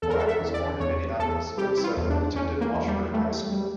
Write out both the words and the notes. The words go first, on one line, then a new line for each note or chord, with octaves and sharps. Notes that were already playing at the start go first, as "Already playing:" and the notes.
Hoag was born in Minneapolis, Minnesota, and attended Washburn High School.
E2 A4
A#4
A4
E5
E2
D5
E2 C#5
E2 A4
G3 G4
E4
F4
E2
D4
E2 C#4
A#3
E2
G3
G3 A3
G3